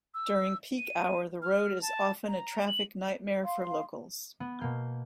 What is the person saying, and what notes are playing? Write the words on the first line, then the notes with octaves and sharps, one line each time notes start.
During peak hour the road is often a traffic nightmare for locals.
E6
D#7
F6
A5
A#5
F#7
F5 C6
B3
B2 A#3 G6